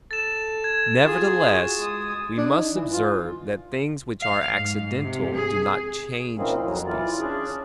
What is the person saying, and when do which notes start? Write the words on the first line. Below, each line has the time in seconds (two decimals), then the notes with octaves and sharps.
Nevertheless, we must observe that things which are accidental do not change the species.
0.11 A4 A6 E7
0.64 G#6
1.02 F4 G#4
1.49 F#4
1.79 G#3 D#6
2.37 D4
2.50 D#4
2.73 E3
2.92 F4
4.21 F5
4.56 G#2
5.03 C3
5.34 G#4
6.35 A#2 E3 A#3 C4 C#4 D#4
6.63 F2 F#3
6.86 E3 F4 D5
7.20 C#4 D4 G#4 D5
7.49 C#4